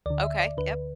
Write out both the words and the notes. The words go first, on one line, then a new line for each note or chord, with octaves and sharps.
Okay, yup.
D2 D3 D5
E5
D5
D2 D3 B4